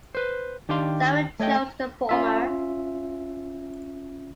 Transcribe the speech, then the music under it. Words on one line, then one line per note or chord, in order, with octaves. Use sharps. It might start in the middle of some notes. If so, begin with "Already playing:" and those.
Sara chose the former.
B4 C5
D#3 D4 G4 F5 C6
A3 C#5 D#5 G5
C#4 F4 E5